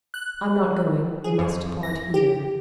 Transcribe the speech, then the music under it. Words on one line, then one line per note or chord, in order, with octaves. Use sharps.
"I'm not going; we must part here."
F#6
G#4
F2
A#6
G4